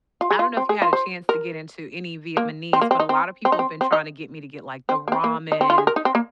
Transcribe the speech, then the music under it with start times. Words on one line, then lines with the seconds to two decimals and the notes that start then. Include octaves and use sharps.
I don't know if you had a chance to get into any Vietnamese, but a lot of people have been trying to get me to get, like, the ramen,
0.21 F4
0.30 G#4
0.39 F4
0.57 C4
0.69 G#4
0.82 F4
0.93 C5
1.29 A#4
2.37 A#3
2.73 C4
2.81 A#3
2.91 C4
3.00 D#4
3.09 C4
3.45 C4
3.52 D#4
3.59 C4
3.81 C4
3.92 D#4
4.89 C4
5.08 A#3
5.12 C4
5.24 A#3
5.52 D#4
5.61 C4
5.70 F4
5.78 G#4
5.87 A#4
5.96 D#4
6.05 C4
6.15 A#3